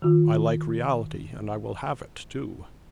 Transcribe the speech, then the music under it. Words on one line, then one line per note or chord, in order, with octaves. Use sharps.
I like reality, and I will have it too.
D#3 F4